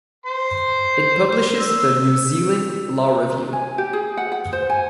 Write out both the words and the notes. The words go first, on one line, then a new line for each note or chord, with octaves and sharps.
It publishes the "New Zealand Law Review".
C5 C6
E6
G#5
G4
G#4
F#5
F#5
C5
G#5